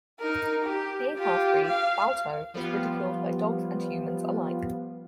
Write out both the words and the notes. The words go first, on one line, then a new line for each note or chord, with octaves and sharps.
Being half-breed, Balto is ridiculed by dogs and humans alike.
D#4 A#4
G4
F4 G4
F5
F3 G3 B3 F4